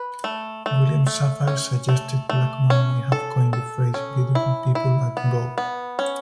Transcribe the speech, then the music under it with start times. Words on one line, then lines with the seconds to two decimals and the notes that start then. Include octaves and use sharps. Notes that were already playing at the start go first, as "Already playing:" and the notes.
William Safire suggested Blackmon may have coined the phrase "beautiful people" at "Vogue".
Already playing: B4
0.24 A3
0.66 A3
1.07 A3
1.47 C#4
1.89 A3
2.29 A3
2.70 C#4
3.12 A4
3.53 A4
3.94 C#4
4.35 E4
4.75 E4
5.17 B3
5.58 B3
5.99 C#4